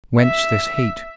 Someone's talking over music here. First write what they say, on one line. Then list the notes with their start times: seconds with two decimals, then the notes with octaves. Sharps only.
Whence this heat?
0.20 E5